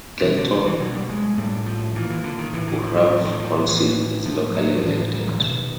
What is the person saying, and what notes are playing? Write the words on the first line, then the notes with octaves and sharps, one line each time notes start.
Galeton Borough Council is locally elected.
B2 E3
D3
D#3
E3
B2 F#3
G3
G#3
A2 G3
F3
A#2 E3
E3
D3
D#3
A2 E3
E3
F3
F#3
A2 F3
D#3
F3
A2 E3
A2 F3
F#3
F3
A2 E3
G3
F#3
F3
E3
B2 D#3